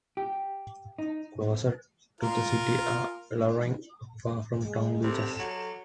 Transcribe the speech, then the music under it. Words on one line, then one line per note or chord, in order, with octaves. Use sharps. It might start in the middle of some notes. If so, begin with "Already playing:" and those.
Closest to the city are Illawong, Far and Town beaches.
G4
D#4
F4 A#4
G#3
C3 A4
F#3